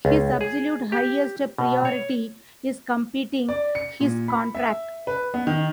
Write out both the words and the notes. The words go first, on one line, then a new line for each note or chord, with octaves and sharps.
His absolute highest priority is completing his contract.
C#2
G#4
G4
B2
C#5
D5
C#7
A#2
B5
E5
B4
B3
D#3